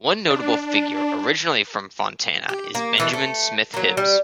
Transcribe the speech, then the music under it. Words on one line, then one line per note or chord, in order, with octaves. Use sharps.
One notable figure originally from Fontana is Benjamin Smith Hibbs.
D4
G4
A#3
D#3 E3 A3
A3
F#3 A#3
G3